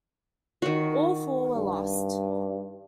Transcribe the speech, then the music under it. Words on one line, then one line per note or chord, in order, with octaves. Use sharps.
All four were lost.
D#3 F#4
G2